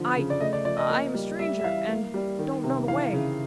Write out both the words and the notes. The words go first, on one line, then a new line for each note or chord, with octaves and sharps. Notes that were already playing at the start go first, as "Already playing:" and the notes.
'I--I--am a stranger, and don't know the way.
Already playing: D3 F3
C#3
D5
A3 D#5
D5
F3 D5
D#5
A#3
G3
G3 E5
E5
E3 F5
A#3
G3
D#3
C3
E3 F5
C#3